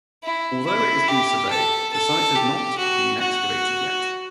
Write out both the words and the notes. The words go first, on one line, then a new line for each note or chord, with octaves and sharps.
Although it has been surveyed, the site has not been excavated yet.
E4
E4
G4
A4
A4
G4
F#4
F#4